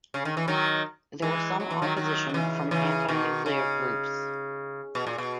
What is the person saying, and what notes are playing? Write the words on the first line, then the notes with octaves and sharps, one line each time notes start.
There was some opposition from anti-nuclear groups.
C#3
D#3
E3
D#3 F#3
E3 G#3
F#3
E3
D#3 F#3
D#3 F#3
D#3
C#3 E3
C#3 E3
B2 D#3
C#3
B2
A#2
B2